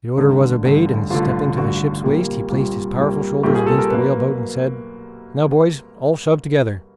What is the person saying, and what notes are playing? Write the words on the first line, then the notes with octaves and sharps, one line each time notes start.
The order was obeyed, and stepping to the ship's waist, he placed his powerful shoulders against the whale-boat, and said: "Now, boys, all shove together!"
A1 G2 D3 D4
A1 G2 D3
A1 G2 D3 F4
A1 G2 D3 F#4
C2 A#2 G3 A#3
C2 A#2 G3 A#3
C2 A#2 G3 A#3
C2 A#2 G3 A#3 G4
G#4
A4
A#4
B2 F#3 A#3 B4